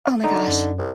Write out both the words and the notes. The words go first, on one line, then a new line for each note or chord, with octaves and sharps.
Oh my gosh.
D3 D#4 A#5
F#2
C2